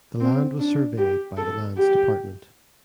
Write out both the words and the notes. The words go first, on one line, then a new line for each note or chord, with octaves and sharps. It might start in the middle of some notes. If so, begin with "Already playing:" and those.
The land was surveyed by the Lands Department.
C4
D4
G4
A4
G4